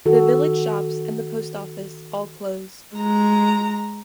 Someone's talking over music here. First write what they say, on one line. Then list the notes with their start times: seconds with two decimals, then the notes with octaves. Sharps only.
The village shops and the post office all closed.
0.05 D#3 F#4 A4
2.96 G#3 A#5